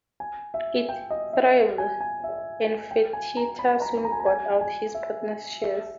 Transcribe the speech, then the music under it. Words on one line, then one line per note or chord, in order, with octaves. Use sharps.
It thrived, and Fertitta soon bought out his partners' shares.
G#5
E5
G5
D#5
E5
G#5
G#5
E5
G5
G#5
A#5
B5
A#5
A#5
G#5
A#5
G#5
G#5
E5
E5